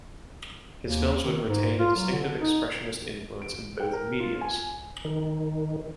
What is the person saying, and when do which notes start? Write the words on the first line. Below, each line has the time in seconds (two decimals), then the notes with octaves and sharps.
His films would retain a distinctive expressionist influence in both mediums.
0.83 D#2
1.23 D#3
1.48 G#2
1.79 F4
1.96 F#3
2.12 D3
2.41 D#4
3.42 D7
3.80 G5
3.93 A#4
4.20 F4
4.41 G#5
5.05 D#3